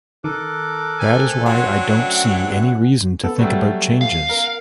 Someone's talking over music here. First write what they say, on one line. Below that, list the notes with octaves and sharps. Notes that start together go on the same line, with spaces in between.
That is why I don't see any reason to think about changes.
D#3 A4 A#4 D6 F#6
A3 C4 G#5
F#3 C4 D4 F#5 G#5 C6
F#2 A3 F#6
B3 A4
F#3 G3 A3
F5
A#4